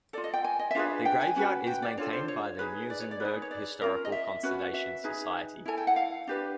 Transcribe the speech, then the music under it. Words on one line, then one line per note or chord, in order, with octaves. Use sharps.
The graveyard is maintained by the Muizenberg Historical Conservation Society.
F4 A4 D5
D#5
G5
G#5
D#5
E5
D4 F4 G#4 B4 F5
G5
G#5
C#4 F#4 B4
G5
D5
D4 F4 A4 C#5
C5
C#5
D#4 G#4 B4
D5
C#5
D5
D#4 G#4 B4
C#5
D5
C#4 F4 A#4
D#5
E5
C#4 F#4 B4
E5
D#4 G#4 B4
E4 A4 G#5
G5
F#5
F5
D4 G4 B4